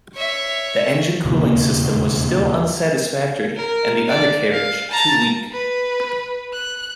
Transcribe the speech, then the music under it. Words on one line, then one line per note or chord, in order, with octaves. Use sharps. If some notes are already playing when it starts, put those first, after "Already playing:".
The engine cooling system was still unsatisfactory and the undercarriage too weak.
C#5 E5
E1 D#2 A#2 C#3
A#4
D5
F5
A5 A#5
B4
F#6